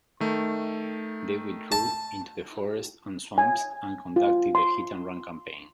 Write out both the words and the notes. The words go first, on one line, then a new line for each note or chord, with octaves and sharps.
They withdrew into the forests and swamps and conducted a hit-and-run campaign.
D#3 A3
A5
G#5
F4
C6